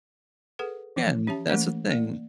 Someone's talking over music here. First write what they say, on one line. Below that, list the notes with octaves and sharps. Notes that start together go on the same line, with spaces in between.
Yeah, and that's the thing.
G#4 A4 B4 F#5
E3 F3 C#5
C#4 G4 C#5 E5 A5
E3 A3 A#3 C#4 A#4
A#3 D5 F5